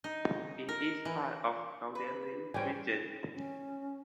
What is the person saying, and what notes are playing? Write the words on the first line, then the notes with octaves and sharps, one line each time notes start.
It is part of the Gauldalen region.
D#4
A#4
E3
B4
E3 G3 C5 C#5 G5 G#5
C#4